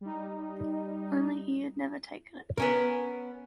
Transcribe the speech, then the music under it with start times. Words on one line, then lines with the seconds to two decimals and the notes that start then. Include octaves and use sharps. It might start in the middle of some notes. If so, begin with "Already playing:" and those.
Only he had never taken it.
0.01 G3 D#4
2.57 B3 C#4 A#4